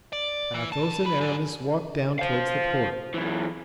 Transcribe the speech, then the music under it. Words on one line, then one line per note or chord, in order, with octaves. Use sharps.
Athos and Aramis walked down toward the port.
D5
E3
G2 A5
F#3 B4
G#2
C5 F5
F#2 E3